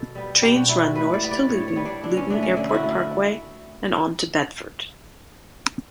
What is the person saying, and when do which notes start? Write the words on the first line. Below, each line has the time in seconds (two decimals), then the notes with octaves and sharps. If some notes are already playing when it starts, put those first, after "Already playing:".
Trains run north to Luton, Luton Airport Parkway and on to Bedford.
Already playing: B2 A4
0.15 G3 B3
0.42 B2 G4
0.56 F#4
0.69 G3 B3 E4
0.82 F#4
0.95 A2 B4
1.14 D5
1.23 G3 B3
1.31 D5
1.49 A2 C#5
1.68 C#5
1.76 G3 B3
1.85 D4
2.03 D3 D4
2.17 C#4
2.30 F#3 A3 D4
2.43 C#4
2.57 D3 D4
2.69 E4
2.74 F#4
2.83 A3